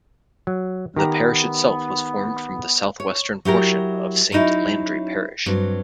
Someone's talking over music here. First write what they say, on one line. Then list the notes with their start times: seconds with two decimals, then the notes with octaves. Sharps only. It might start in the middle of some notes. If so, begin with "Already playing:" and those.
The parish itself was formed from the southwestern portion of Saint Landry Parish.
0.47 F#3
0.96 D#3 B3 G4 A#5
3.00 C#5
3.45 F#3 E4 G4 A#4
4.32 F#3 C#4 D#4 E4
5.46 G2 F#3 C4